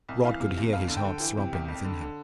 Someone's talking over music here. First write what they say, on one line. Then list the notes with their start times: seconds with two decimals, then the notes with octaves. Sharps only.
Rod could hear his heart throbbing within him.
0.09 C2
0.24 E3 F5
0.40 C3
0.57 E2
0.73 F2 F5
0.88 D3
0.97 G5
1.05 D3
1.20 E3
1.37 C3
1.53 C2
1.68 F2
1.85 D3
2.01 D3